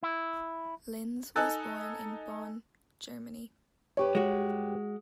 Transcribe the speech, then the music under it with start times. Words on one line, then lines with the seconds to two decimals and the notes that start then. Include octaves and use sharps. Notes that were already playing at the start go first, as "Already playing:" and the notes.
Linz was born in Bonn, Germany.
0.03 E4
1.36 D#4 A4 G#5 E6 F#6 A6
3.97 G2 G4 B4 C#5
4.15 G#3 F#4